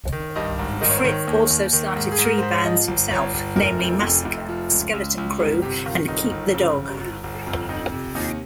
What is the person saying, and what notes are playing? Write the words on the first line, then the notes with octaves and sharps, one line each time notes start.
Frith also started three bands himself, namely Massacre, Skeleton Crew, and Keep the Dog.
D#3
G2 D#5
G#1
D#3 D#5
C#5
C5
D#3 C#5
D#2
D#2
D#3
G#2
G#4
G#2
A#4
G#2 C5
C#5
F3 D#5
G1
G1 C#5
G1
F1 A#4
F2
F1
F1
F3
C#2
C#2
C#2
G1 G#4
C3 G4
D#3 F4
G1 D#4
G1
C#3
G1
G1
G1
F2
F2 D#4
C3
D#2 D#4